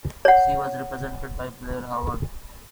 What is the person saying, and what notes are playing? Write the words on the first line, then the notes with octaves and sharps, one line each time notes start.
She was represented by Blair Howard.
C#5 F#5